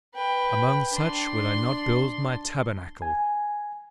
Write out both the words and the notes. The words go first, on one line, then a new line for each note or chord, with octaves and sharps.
Amongst such would I not build my tabernacle.
B4 G5
D4 C6
G#5